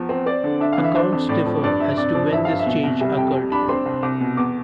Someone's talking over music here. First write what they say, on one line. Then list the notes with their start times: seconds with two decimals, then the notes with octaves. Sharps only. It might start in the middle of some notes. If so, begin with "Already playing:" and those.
Accounts differ as to when this change occurred.
Already playing: E2 F3
0.09 C4
0.26 C4 D5
0.44 D3
0.60 D4 E5
0.73 F5
0.78 E3
0.84 E5
0.95 D4 C5
1.12 F2
1.29 A2 D5
1.46 F3
1.63 G2 D5
1.80 G2 E5
1.97 C3 D5
2.14 F3 D5
2.32 G2 E5
2.45 G2 F5
2.59 E5
2.66 B2
2.83 C2
3.00 G3 E5
3.17 F2 G5
3.35 G3
3.52 D4 B5
3.69 C4 C6
3.86 C2
4.03 C2 D6
4.20 B2
4.37 E2 D6